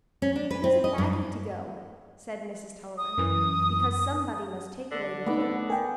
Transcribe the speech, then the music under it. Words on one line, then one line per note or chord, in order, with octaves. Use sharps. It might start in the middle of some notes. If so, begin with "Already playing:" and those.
"And isn't Maggie to go?" said Mrs. Tulliver; "because somebody must take away the things."
C#4
D4
B4
C4
D#5
G2
D#6
F#2 E3
D3
A3 B3 D#4 D6
A#4 G5 G#5